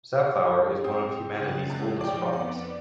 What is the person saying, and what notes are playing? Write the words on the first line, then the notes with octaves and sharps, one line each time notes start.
Safflower is one of humanity's oldest crops.
C4 D#6
C#3 F#6 A6
F2 G#3
F3 D#4 D5 G5
F2 B3 D5